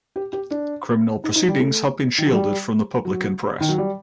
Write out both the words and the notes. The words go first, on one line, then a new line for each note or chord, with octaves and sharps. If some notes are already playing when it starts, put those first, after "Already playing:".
Criminal proceedings have been shielded from the public and press.
G4
G4
D4
D#4
D#4
G3
A3
D#3
F#3
G3
F#3
D#3
F#3
G3